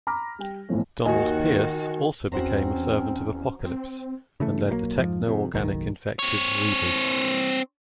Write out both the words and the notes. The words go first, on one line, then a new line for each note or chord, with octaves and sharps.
Donald Pierce also became a servant of Apocalypse, and lead the techno-organic-infected Reavers.
A#5 B5 D6 F6 A#6
G3 G5
B1 A2 E3 F3 A3
D#2 D#3 F#4 D#5 G#5
E2 C4 C#4 F#4 C5 A#5
C4
C#3 E3 A3
B1 F#3 G3 A#3
F2 G#2 F3
F2 C3
F#1 B1 D#3
C4 C#5